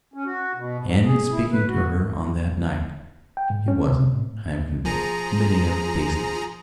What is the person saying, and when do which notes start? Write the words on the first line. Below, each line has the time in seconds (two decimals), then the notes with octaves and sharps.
And, in speaking to her on that night, he wasn't, I am convinced, committing a baseness.
0.14 C#4
0.25 F#4
0.55 B2
0.80 G#2
1.04 G#4
1.31 E4
1.52 B4
1.67 F#4
3.37 G5
3.50 G#2
3.68 C#4
3.87 C3
4.13 A2
4.85 F3 G#4 A#5